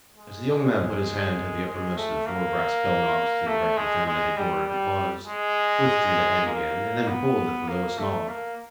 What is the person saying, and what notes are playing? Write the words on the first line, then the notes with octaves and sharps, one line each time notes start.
As the young man put his hand to the uppermost of the four brass bell-knobs to the right of the fanlighted door he paused, withdrew the hand again, and then pulled at the lowest knob.
G#3
G#3
A3
A#3
A3
G#3
G#3
G3
G3
G#3
A#3
B3
A#3
A3
A#3